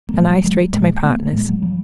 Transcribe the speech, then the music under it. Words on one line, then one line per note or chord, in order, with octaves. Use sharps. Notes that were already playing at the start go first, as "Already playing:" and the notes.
"And I straight to my partner's."
A#3
A#2 G3 A3
F#3 G#3
A#2 G#3 A#3
A3 B3
A3
A2 G#3 A#3
F#3 G#3
F3 G3